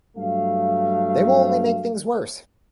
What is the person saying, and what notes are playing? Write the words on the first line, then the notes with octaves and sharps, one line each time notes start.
They will only make things worse.
G2 F#3 A3 F5